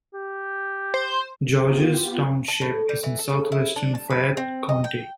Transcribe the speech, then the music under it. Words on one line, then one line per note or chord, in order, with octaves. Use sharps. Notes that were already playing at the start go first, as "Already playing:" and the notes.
Georges Township is in southwestern Fayette County.
G4
C5
B3 F4 G4
A5
A2
G3
E3
A4
E4
D4
A5
B4
C4
D#5
G5